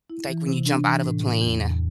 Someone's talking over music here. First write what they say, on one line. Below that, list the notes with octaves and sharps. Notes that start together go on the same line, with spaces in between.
like, when you jump out of a plane
E4
E3
C3
D4
E3
A2
A2
E2
E2